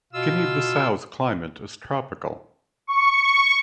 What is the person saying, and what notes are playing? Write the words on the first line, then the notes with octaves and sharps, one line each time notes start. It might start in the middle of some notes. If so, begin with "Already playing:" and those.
Guinea-Bissau's climate is tropical.
B2 F4 E6
C#6